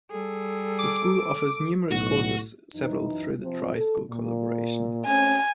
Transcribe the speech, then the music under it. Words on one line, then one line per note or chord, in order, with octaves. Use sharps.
The school offers numerous courses, several through the tri-school collaboration.
G3 G#4 A4
D6
B1 A2 F#4
F#2 E3 D#4
C3 F3
A4
A#2
A3 C4 C#4 G#5